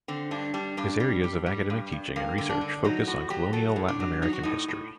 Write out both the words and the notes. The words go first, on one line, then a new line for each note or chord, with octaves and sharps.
His areas of academic teaching and research focus on colonial Latin American history.
D3 C4
G2 D4
G3 D4
G2 D4
G3
G3
G3
G2
G2
G2 A#3
D3
D4
D3
F#3 D#4
A2 F#4
F#3 G4
F#3 A4
A2
D4
F#3
F#3 D#4
F#4
A2 D#4
A2